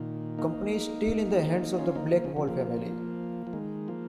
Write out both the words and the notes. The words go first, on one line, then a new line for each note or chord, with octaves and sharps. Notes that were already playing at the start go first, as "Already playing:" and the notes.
The company is still in the hands of the Blackwell family.
Already playing: A#2 D#3
A#3 D#4
C#4 F4
A#3 D#4
F3 A#3
C#3 F3
C#3 F3
F3 A#3
F3
D#3 G#3
F3 A#3